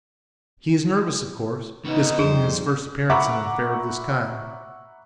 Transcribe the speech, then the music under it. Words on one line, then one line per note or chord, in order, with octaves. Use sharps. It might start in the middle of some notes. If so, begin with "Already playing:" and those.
He is nervous, of course, this being his first appearance in an affair of this kind.
C#3 B3 D#4
F2 G3 G#4 C5
E5 F#5 A#5 B5 C#6 D6